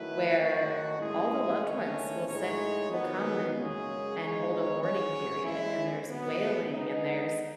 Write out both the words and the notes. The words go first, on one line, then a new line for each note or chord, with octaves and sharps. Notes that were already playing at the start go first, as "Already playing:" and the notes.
where all the loved ones will sit will come and and hold a mourning period. And there's wailing, and there's,
Already playing: D#3 F#3 A3 E4 B4
F#2 D#3 A3 C#4 F#4
A2 G#3 C#4 E4 G#4
E2 D#3 A3 C#4
A2 G#3 D#4 G#4 C#5
D#3 F#3 B3 D#4
F#2 C#3 G#3 C#4 G#4
G#3 B3 D#4 G#4 C#5
F#3 C#4 G#4 C#5
E3 G#3 C#4 E4
A2 F#3 B3
G#3 B3 D#4